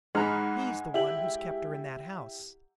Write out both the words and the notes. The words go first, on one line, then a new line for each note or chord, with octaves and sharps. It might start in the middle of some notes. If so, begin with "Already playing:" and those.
He's the one who's kept her in that house.
G#2 G#3 F#5 A#5 B5 F6
E4 G4 F#7